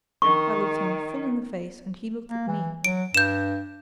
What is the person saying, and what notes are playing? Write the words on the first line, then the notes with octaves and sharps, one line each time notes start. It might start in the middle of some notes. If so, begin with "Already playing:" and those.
I looked him full in the face, and he looked at me.
D#3 C#6
A#3
E3
F#3 D7
G2 G6 E7